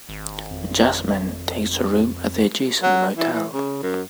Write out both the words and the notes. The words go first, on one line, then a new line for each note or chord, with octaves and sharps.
Jasmin takes a room at the adjacent motel.
G#1
F2
F#3
E3
E3
C#3
F#2